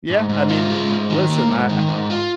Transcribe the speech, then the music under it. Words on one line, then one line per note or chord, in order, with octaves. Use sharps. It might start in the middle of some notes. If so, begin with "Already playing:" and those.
Yeah. I mean, listen. I
G#2
G#2
F4
G#3
G#2
D#3
A#3
G#2
D#3
G#2
F4